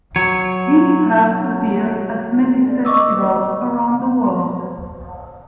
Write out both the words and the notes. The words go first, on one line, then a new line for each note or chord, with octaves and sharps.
He has appeared at many festivals around the world.
F#3 C#5
D#5 C#6 D6 E6